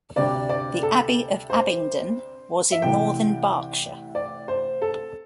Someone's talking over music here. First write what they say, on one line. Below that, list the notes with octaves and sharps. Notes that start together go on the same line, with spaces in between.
The Abbey of Abingdon was in northern Berkshire.
D2 C3 G3 D4 D5
D5
A4
C5
E5
C2 C3 E3 A3 G5
D5
C5
A4